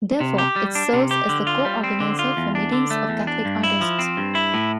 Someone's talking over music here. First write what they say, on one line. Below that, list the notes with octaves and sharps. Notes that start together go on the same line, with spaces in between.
Therefore, it serves as the co-organizer for meetings of Catholic artists.
C3
G4
G3
D4
C3
G4
D3
F4
G3
C4
D3
F4
E2
D4
D3
A3
E2
D4
G2
E4
F3
C4
G2
E4
A2